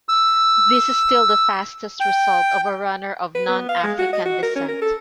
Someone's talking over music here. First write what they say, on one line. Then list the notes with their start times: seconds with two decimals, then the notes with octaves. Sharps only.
This is still the fastest result of a runner of non-African descent.
0.09 E6
2.00 G5
3.35 B4
3.48 B3
3.69 F5
3.83 G#3
3.99 F#4
4.13 D#5
4.26 F#4
4.43 A#4
4.56 C#4
4.68 A#4
4.82 A4